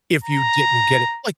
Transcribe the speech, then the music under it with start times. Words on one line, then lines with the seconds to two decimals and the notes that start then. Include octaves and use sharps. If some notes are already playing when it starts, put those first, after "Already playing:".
if you didn't get it, like,
0.24 A#5